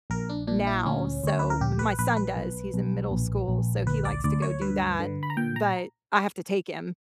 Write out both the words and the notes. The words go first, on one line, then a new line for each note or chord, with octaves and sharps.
now, so my son does, he's in middle school, so he likes to go do that, but I have to take him,
A#1 A#4
D4
A#2 D4
E4
D2 C#4
D2 C#5
B4
A#4
A#1 G4
B4
A#1 B4
B4
B1
B1
A#1
A#1
D2 B4
D5
D2 D5
C#5
G2 B4
D3
B5
A#5
A#2 G5
A#5